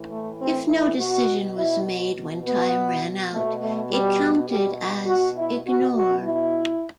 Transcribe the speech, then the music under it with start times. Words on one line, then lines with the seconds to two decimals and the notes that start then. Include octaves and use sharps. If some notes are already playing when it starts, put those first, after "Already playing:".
If no decision was made when time ran out, it counted as "Ignore".
Already playing: A2 E3
0.10 A3
0.39 C4
0.68 E4
0.98 B2 F#4
1.56 E4
2.14 B2
2.44 B3
3.31 B2 A3
3.60 A3
3.90 G3
4.48 B2 G3
5.06 F#4
5.36 E4
5.65 B2 F#4
5.95 F#4
6.24 E4